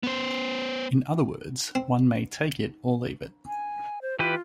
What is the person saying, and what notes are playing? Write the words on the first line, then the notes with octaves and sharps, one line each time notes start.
In other words, one may "take it or leave it".
B3 C5
C4
G#5
C5
E3 F4 G4 B4